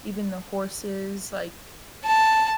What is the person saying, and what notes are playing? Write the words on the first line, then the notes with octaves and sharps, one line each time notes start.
even the horses, like,
A5